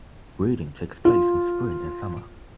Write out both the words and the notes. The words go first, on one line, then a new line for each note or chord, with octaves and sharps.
Breeding takes place in spring and summer.
F4